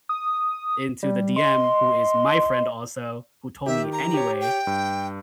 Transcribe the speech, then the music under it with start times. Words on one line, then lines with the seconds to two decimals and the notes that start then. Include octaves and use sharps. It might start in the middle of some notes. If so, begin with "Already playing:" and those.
into the DM, who is my friend also- who told me anyway-
0.09 D#6
1.03 G3
1.36 D#5 C6
3.66 D#3 G4 E5
3.93 A#5
4.14 G4 C#5
4.41 G5
4.67 G2